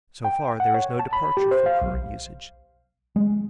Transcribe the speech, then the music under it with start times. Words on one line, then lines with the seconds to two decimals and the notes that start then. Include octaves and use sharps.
So far, there is no departure from current usage.
0.25 G5
0.60 F#5
0.74 C#5
0.99 A5
1.13 B5
1.37 G4
1.51 C5
1.66 F5
1.82 B1
3.16 G#3